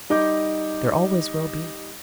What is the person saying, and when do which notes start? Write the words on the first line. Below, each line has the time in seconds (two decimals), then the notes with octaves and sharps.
"There always will be."
0.10 G3 D#4 D6 G6